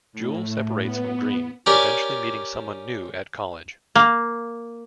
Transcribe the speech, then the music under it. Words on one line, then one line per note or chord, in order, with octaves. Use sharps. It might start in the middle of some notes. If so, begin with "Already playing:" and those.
Jewel separates from Green, eventually meeting someone new at college.
A2
B3
C#4 G4 A#4 D5 G#5
A#3